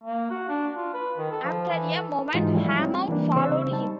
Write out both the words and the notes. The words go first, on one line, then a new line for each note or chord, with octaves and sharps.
After a moment Hammond followed him.
A#3
F#4
D4
F4
B4
D#3
A4
F3
E3
A4
G#2 E3 G#3 D#4 F4 F#4
F3 G3 A3 E4
G3 C4 C#4
E3 G3 A#3 D4
C#3 C4 C5 C#6 E6
G3 D#4 A5